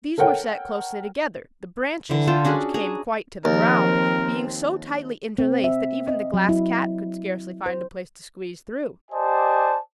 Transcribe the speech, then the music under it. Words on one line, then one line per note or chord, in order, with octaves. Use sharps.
These were set closely together, the branches, which came quite to the ground, being so tightly interlaced that even the Glass Cat could scarcely find a place to squeeze through.
A4 A#4 C#5 F#5 G5
D3 E3
F4 A4 G5
C#4 D4 F#4 G#4
G#4 A#5
D#2 F3 C4 A#4
C4
E5
D#5
F#3
E4
C5
G4 C5 D5 D#5 G#5 A5